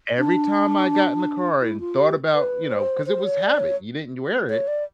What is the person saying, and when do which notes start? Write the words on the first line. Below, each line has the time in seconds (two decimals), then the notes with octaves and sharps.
Every time I got in the car and thought about, you know 'cause it was habit, you didn't wear it.
0.18 D4
1.61 E4
1.80 F4
1.98 G4
2.34 B4
2.70 C5
3.06 C5
3.23 C#5
3.42 D5
3.60 C#5
4.50 C#5
4.68 D5